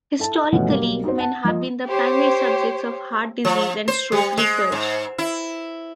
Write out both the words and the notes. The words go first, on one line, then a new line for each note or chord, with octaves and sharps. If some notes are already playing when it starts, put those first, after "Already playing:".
Historically men have been the primary subjects of heart disease and stroke research.
E4 A4 A5
D2 B2 E3 F3 C#4 F#5
B1 F#3 G3 A#3
D#4 F#4 C5
F#5 A5
F3 D#5
G4 C5 C#5
F3
C5
G3
G#3
G#2
E4